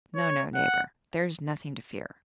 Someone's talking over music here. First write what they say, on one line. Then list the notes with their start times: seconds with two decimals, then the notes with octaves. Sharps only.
No, no, neighbor, there's nothing to fear!
0.16 C#5
0.55 F#5